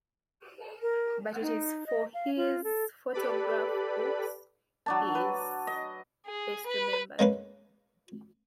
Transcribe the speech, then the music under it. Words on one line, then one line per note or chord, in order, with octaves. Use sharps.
But it is for his photograph books he is best remembered.
A#4
D#4
D#5
F5
F4
A4
G4 A4 B4 D5 B5
F#3 D4 A5
B4
D#5
G#4
B4
G#3 A#3 C#4 B4